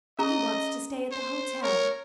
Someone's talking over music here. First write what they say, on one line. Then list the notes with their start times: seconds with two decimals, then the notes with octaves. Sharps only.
He wants to stay at the hotel.
0.19 C#4 G#4 D#5 A#5
1.12 C5
1.63 A#4 C#5